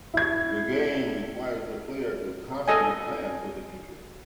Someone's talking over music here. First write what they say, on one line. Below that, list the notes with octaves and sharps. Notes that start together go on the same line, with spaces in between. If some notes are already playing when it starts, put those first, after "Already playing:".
The game requires the player to constantly plan for the future.
E4 G#6
A4 D#5 G#5